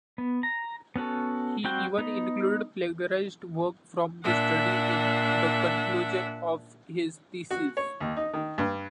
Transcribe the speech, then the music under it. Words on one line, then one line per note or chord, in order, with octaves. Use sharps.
He even included plagiarized work from the study in the conclusion of his thesis.
B3
A#5
B3 C#4 F#4 A4
G3 C4 F#4 G5
B3 D#4
A#2 D4 E5 F#5
F#4
C#5
D#2
D#4
D#3
G2